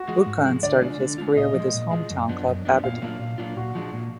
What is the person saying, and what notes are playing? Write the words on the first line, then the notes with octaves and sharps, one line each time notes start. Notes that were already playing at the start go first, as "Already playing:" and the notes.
Buchan started his career with his home town club, Aberdeen.
Already playing: F#4
F3 G#3
G#2
F3 G#3
D3 D5
G#3 D4 F4
D3
G#3 D4 F4
A#2 D#5
F3
G#3
A#2
F3 G#3
F#2
F3 B3 D4
F#2
F3 B3 D4
A#2 F5
F#3 A#3 D4 F4
A#2
F#3 A#3 D4 F4
A#2 F#4
F3 G#3 D4
A#2